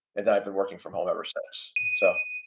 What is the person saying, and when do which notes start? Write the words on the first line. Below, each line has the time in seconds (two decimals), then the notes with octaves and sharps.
And then I've been working from home ever since, so,
1.76 D#7